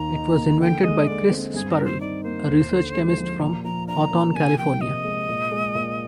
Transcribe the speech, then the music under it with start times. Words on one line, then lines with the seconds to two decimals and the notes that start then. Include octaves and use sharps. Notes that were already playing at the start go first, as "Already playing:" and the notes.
It was invented by Chris Spurrell, a research chemist from Hawthorne, California.
Already playing: D#2 D#3 A#5
0.14 D#4
0.37 A#3
0.60 D3 G5
0.84 G#3 D#5
1.07 D3 D5
1.31 C4
1.54 G2 G#4
1.70 A#4
1.77 D#3
1.85 C5
2.01 D#4 D5
2.24 A#3 C5
2.47 D#2
2.71 D3
2.94 G#3
3.17 F3
3.41 A#2 A#5
3.64 F3 A#5
3.88 D4 A#5
4.11 A#3
4.35 C3 G#5
4.58 F3 G5
4.81 C3 D#5
5.05 G#3
5.29 A#2
5.52 G#3
5.75 A#2